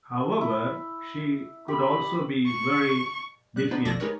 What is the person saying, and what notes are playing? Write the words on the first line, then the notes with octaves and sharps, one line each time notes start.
However she could also be very defiant.
E4
G4 B5
C#6
G3 F#6
B3 D4 D#4 B4 C5
A1 B2 F3 A4 D5 A#6
G#3 D#4 G4 A#4 B4 C#5